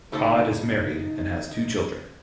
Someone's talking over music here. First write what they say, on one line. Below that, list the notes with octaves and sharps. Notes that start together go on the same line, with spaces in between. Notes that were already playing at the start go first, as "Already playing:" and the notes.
Codd is married and has two children.
C#3 A3 D#4 A4